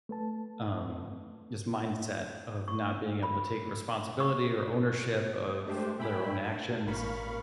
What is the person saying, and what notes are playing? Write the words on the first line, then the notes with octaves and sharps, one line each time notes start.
um, this mindset of not being able to take responsibility or ownership of their own actions,
A3 B4 A5
C#6
B5
C#6
G#3 A3 D4 G4 C5
E5 G5 G#5 B5
A5
A1 A#2 A#4 F5 B5 C#6